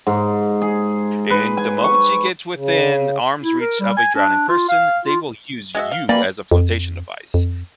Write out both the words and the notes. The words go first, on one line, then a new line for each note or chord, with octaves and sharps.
i in the moment she gets within arm's reach of a drowning person, they will use you as a flotation device,
G#2
G#4
B4
G#5
C#6
C#3
E4
A#4
G3
G#5
D4
F4
F5
F4
G#3 F#4 E5
F5
E3 G3 A#3 D5 B5
F2
F2